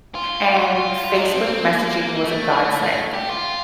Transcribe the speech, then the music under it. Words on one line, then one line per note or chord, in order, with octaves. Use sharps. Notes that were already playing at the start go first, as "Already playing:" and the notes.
and Facebook messaging was a godsend,
F4
F4
F4
D#4
D4
C4
A#3
A3
A3
G4
F4